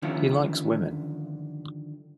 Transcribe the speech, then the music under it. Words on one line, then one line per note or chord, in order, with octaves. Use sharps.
He likes women.
G2 D3 D#3 F3 C#4 E4